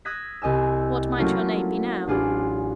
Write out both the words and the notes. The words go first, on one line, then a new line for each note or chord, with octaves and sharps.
"What might your name be, now?"
D#6 E6 F#6 G#6 A#6 B6
C2 D#5 G#5 E6
F#3 A3 A#3 C#4 E4 F4
A1 D4 F4 G#4 D6